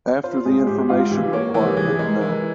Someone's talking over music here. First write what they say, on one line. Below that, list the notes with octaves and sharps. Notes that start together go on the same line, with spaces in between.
After the Information Requirement no.
F4 C5
G#2 G#4
G#2 G4
G#2 F4
E3 G4
A#3 C#5
E3 E5
G4
E3 G#4
G#4
G#3 A#4
E3